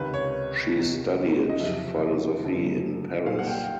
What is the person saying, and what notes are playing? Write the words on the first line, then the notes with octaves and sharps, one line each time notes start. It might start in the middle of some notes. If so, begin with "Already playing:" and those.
She studied philosophy in Paris.
Already playing: C#2 C3 D#3 B4
C#5
E2 C3 D#3
D#5
F#1 F2 C3 F3 E5
F#1 F#2 D3 F3
B1 A#2 G3 F5
F#5
G5